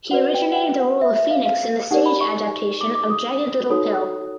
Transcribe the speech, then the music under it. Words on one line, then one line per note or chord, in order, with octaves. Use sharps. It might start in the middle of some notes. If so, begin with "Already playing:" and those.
He originated the role of Phoenix in the stage adaptation of "Jagged Little Pill".
F#4 B4 D5 F#5
G5
F#5
G5
F#5
E5
E5
F5
F5
D#4 G4 A#4 D5 F#5
B5
C#6
D6
D6
D#6
D#4 F#4 A4 C#5 D#6